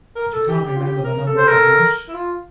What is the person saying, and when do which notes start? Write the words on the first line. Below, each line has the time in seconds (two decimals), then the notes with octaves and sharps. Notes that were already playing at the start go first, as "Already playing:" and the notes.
"And you can't remember the number of the house?"
0.16 A#4
0.33 A4
0.48 G4
0.66 G4
0.76 F4
0.82 G4
1.04 A#4
1.27 A4
1.37 C5
1.48 A#4
2.08 E4
2.14 F4